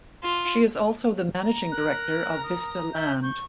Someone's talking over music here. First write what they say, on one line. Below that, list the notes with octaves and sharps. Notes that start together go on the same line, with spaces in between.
She is also the Managing Director of Vista Land.
F4
A#5
A#4 F#6
D#6
E5 G6
C#6 G6